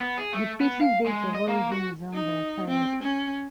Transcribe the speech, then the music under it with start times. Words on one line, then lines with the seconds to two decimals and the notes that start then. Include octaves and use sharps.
The piece’s date of origin is unverifiable.
0.01 B3
0.18 G#4
0.33 A3
0.61 B3
0.81 F5
1.06 G#3
1.34 D#5
1.48 A#3
1.72 F#4
2.13 D#4
2.67 C4
3.03 C#4